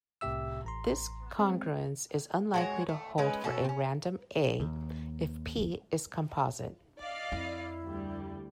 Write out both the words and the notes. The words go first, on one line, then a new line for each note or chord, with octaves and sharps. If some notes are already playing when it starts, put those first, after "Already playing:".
This congruence is unlikely to hold for a random "a" if "p" is composite.
C2 A2 C3 G4 E5 E6
A1 A#5 C6
G#3 C4
G#3 F#4 C#5
A3
G#3 C#4 D#4 B4
B2 C#4 F#4 A4
C4 C#4
D#2
D5 D#5 F5
F2 E4
D2 G3